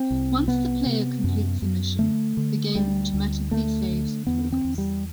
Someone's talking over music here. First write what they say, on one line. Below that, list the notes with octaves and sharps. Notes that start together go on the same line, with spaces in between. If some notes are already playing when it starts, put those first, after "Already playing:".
Once the player completes a mission the game automatically saves progress.
Already playing: C4
C2
C3 B3
C3
F#2
F#2
D3 A3
D3
D2 G3
D2
D3 A3
D3
E2 B3
C4
E2
G3